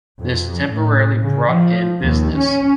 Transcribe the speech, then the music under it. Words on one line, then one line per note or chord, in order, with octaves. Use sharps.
This temporarily brought in business.
F2
A2
C#3
F3
D#2
C#4